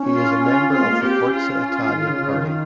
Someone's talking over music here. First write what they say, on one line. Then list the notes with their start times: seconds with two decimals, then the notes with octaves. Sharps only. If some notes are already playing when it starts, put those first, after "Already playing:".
He is member of the Forza Italia party.
Already playing: C#4
0.13 F4
0.43 F4
0.72 C4 F4
0.81 G#3
0.87 A#3
1.01 C4 G4
1.16 C#4
1.31 F4
1.89 D#3
2.05 C#3
2.18 C#3
2.33 D#3